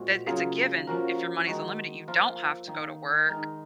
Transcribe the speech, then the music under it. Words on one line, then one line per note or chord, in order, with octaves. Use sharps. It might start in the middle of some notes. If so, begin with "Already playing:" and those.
that it's a given, if your money is unlimited, you don't have to go to work,
Already playing: A#2 G#3 C4 F#4
C#3 F#3 A#3 F4 G#4
F3 A#3 C#4 F#4 A#4
D#3 G#3 D#4 F#4
F3 A#3 F4 A#4
D#3 A#3 D#4
D#3 G#3 D#4 A#4